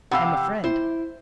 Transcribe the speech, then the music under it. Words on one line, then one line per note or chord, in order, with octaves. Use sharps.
"I am a friend."
C3 G4 F5 F#5 B5 E6
E4 C5